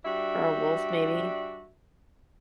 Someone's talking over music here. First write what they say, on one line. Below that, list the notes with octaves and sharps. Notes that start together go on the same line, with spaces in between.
or a wolf, maybe
G3 D4 F#4 E5